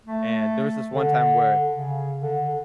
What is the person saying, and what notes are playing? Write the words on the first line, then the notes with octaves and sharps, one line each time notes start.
and there was this one time where,
A3
D3
C#3
D3